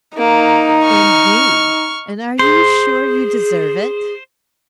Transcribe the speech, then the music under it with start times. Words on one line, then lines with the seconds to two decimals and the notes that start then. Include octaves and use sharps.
'Indeed! and are you sure you deserve it?'
0.18 A#3 D#4
0.84 C#6 F6
2.39 G#4 C5